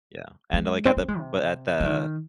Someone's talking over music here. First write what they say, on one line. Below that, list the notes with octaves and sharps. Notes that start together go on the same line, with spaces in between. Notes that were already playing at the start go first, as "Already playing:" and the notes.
Yeah, and, like, at the but at the
G#3
C4
C4
G#3
C3
F3
D#3